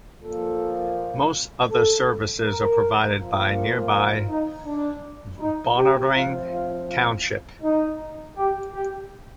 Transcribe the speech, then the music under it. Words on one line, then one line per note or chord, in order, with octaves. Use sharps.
Most other services are provided by nearby Balnarring township.
A#2 F3 A#3 A4
A4
A#4
A#2 F3 A#3
A#4
D#4
D4
D#4
G4
A2 F3 C4 F4
F4
F4
D#4
G4
G4